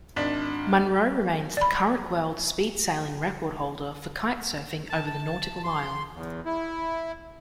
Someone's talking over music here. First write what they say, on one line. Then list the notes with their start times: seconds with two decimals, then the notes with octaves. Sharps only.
Munro remains the current world speedsailing record holder for kitesurfing over the nautical mile.
0.16 G#1 D4 B6
1.57 D5 B5
4.90 A5
5.06 A5
5.64 C6
6.14 E2
6.46 E4